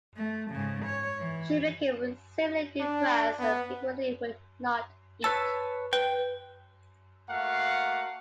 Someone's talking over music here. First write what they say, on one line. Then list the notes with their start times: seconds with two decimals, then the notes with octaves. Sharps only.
She became severely depressed, and frequently would not eat.
0.17 A3
0.51 G#2 C#3
0.85 C#5
1.18 E3
2.80 D4
3.39 B3
5.24 B4 C#5 A5 E6
5.93 B4 G5
7.29 A3 A#3 F#4 F5 F#5